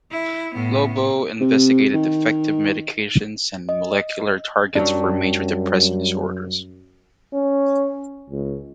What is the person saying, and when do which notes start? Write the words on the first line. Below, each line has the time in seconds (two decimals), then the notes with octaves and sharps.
Lobo investigated effective medications and molecular targets for major depressive disorders.
0.11 E4
0.54 A2 B3
1.40 C3
1.93 D#3
3.69 D#5
4.75 F#2 F#3 G3 D4
7.33 C#4
8.30 C#2